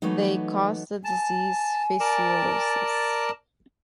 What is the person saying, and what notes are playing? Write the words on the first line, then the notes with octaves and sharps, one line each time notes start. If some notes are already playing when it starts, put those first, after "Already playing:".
They cause the disease fasciolosis.
E3 F#3 A3 B3 D#4
G#5 A5
A#4 D5 A5